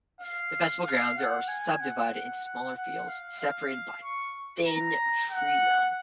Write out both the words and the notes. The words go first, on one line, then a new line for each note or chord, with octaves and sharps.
The festival grounds are subdivided into smaller fields separated by a thin treeline.
F5
F5
F#5
G#5
F#5
F#5
F#5
F#5
F5
F5
C#6
A#5
F#5